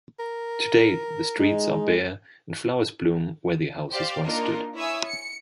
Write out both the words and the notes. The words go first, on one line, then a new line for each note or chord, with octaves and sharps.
Today the streets are bare and flowers bloom where the houses once stood.
A#4
G#3 D#4
G4 C5 D5 F5
A#3 D4 D#4 F4 A#4
E4 C#5 E5 G#5 D#6 E6
C#7